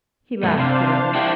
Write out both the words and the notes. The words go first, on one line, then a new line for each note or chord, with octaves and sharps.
He laughed bitterly.
G2 A3
C3 D4 C5 F5
E4 G4